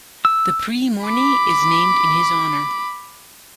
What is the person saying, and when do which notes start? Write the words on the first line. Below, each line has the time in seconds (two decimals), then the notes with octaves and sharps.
The Prix Morny is named in his honour.
0.25 E6
1.06 B5 D6